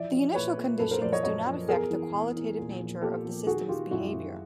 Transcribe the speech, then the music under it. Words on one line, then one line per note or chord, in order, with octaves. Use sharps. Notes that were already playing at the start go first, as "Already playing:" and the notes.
The initial conditions do not affect the qualitative nature of the system's behavior.
Already playing: E3 F3 D5 E5
F3
A#2 B4 C#5
A#2
F#2 A4 B4
A#4 C5
F3 C5 D5
C#5 D#5
F#2 C#5 D#5
F3
E2 G#4 A#4
E3
E2
E3
A#2
F3
A#2 G4 A4
F3
D#3 F#4 G#4
D#3 F4 G4
F#2 E4 F#4
F#2